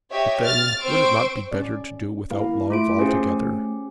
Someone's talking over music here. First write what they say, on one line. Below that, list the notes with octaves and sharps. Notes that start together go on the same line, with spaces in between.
But then would it not be better to do without love altogether?
G4 C#5 D#5 E5
F6 A6
C4 C5 C6 C#6 E6 D7
C#4 D5
A#3 E4 A#4 F5
A3 F4 D7
C#4 F4 G4 G#4 C5
A3